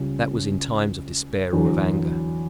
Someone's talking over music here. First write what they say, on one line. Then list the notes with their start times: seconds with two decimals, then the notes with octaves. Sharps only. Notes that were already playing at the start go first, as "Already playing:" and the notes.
That was in times of despair or of anger.
Already playing: C#2 C#3 G3 C#4
1.53 E2 D3 F#3